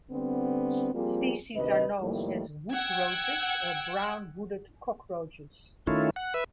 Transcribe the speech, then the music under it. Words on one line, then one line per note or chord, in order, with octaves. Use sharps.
Species are known as wood roaches or brown-hooded cockroaches.
D3 G3 B3 C4
F3 G3 A#3 C4 F4 G#4
D2 C3 D#3 B4 D#5
A2 D#3 F3 G3 A3 A#3
F#5 G5 E6 G#6
D#3 A3 C#4 E4 F4
F#5
B4 E5